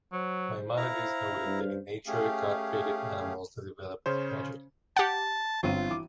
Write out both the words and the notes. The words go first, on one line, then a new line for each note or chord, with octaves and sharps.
Maimonides noted that in nature, God created animals that develop gradually.
F#3 C5
E4 F5 A#5
G2
A3 C#4 G4 G#4 F5
C#3 C#4 C5
G4 F#5 A5
G1 C4 F4 D#7
E3 D6